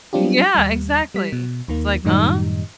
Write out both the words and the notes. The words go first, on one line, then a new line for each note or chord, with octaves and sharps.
Yeah, exactly. It's like, huh?
F#3 G3 C4 D4 F4 G4
D#2 G3
G3 B6
B2
D#2 D#3 A#3
F#2 A2 D#3 G3 D#4